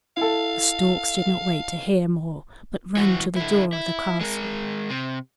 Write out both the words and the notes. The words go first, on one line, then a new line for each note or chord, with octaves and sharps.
The storks did not wait to hear more, but ran to the door of the castle.
E4 A4 F5
E3 F#4
D3 E4
E4
G#3 A#4
C3